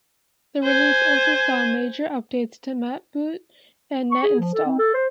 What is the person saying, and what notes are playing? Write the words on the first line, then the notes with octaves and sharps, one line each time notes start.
The release also saw major updates to NetBoot and NetInstall.
C5 G#5
C#6
G#4
F3
A4
C4
A4
C5